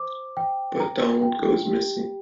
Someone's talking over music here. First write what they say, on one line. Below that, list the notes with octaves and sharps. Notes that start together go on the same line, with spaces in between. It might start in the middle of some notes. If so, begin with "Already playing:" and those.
But Donald goes missing.
Already playing: C5 D6
G5
A#5
G5
G4